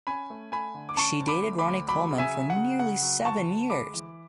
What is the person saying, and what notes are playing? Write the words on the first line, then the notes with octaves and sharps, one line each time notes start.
She dated Ronnie Coleman for nearly seven years.
C#4 G#5 B5
A3
A3 G#5 B5
D3
D6
C#4 A5 C#6
D2
B5 D6
A3
B5 D6
D2
F#3 B5 D6
C#3
E5 G#5
F#3
F#5
C#3
C#3 F#5
F#3
D2 A5 C#6
D2
G#3 B5 D6
E3